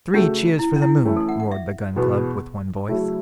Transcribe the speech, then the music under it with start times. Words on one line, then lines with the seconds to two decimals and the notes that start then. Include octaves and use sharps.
"Three cheers for the Moon!" roared the Gun Club, with one voice.
0.13 C#3 A3 C#4 F#4 A4
0.59 E4
0.76 C#4
0.82 E4
1.05 E3 A3 C#4 E4
1.17 A4
1.29 F#5
1.40 F#5
1.51 E5
1.96 E2 B2 B3
2.88 C#3 F#3 A3 E4